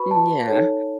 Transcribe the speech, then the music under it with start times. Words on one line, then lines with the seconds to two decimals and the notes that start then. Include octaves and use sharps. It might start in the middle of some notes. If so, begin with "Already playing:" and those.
M Yeah.
Already playing: F#4 B4 B5 C#6
0.11 A5
0.47 D#4 A4 C#5